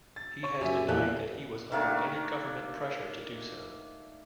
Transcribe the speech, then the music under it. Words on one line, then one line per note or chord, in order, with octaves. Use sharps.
He has denied that he was under any government pressure to do so.
A6
C#5 C#6
F#2 G4 E5 G#5
E2 A#2 E3 G4 A4 F#6
D#3 A3 A#3 D4